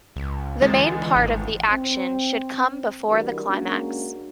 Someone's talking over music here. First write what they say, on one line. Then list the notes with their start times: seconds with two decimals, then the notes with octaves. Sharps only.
The main part of the action should come before the climax.
0.16 C#2
0.62 C#2 D3 E3 G#3 A6
1.15 G#1
1.70 C4
3.07 E3 G3 D4 F#4 A#4
3.46 G#3 A#3 C#4 D4 F#4